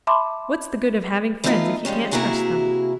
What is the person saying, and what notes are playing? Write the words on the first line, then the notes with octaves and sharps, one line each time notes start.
What's the good of having friends if you can't trust them?
E5 A5 B5 C6 D6
E3 G3 A3 B3 D#4 F4
F3 G3 G#3 C#4
C3 A#3 E4 F#4 G#4 A#4